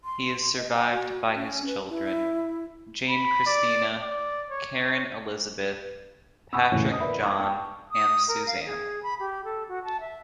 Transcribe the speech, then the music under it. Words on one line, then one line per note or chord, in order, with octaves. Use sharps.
He is survived by his children: Jane Kristina, Karin Elizabeth, Patrick Jon and Suzanne.
C6
D#5
G5
F#4
C#4
B4
E4
B5
D5
D5
C#5
F#5 G#5 B5 C#6 D#6 E6
E1 A2 C#3
D#5 D#6
A#4 B4 D5 E5 B5
A#5 C#6 D#6 G#6
G5 A5 C#6
D#6
A#4
F5
G#4
B5
G4
A4
F#4
A5
E5